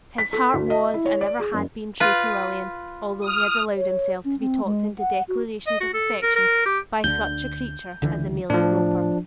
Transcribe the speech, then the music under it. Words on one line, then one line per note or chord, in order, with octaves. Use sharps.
His heart was and ever had been true to Lilian, although he had allowed himself to be talked into declarations of affection by such a creature as Amelia Roper.
B6
A4
D2
D#5
E4
C#5
D5
G#4
F#1
F4 B4
D#6 F6
C#5
C#4
C4
G#3
F#5
F#4
D#5
F#4
A4
A#4
A#4
G4
D2 D3 G6
C#2 D3 E3
A2 F3 D4